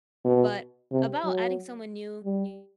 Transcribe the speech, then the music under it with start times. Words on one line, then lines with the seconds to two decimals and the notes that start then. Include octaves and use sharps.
but about adding someone new, you
0.24 B2
0.92 C3
1.24 F#3
2.24 G3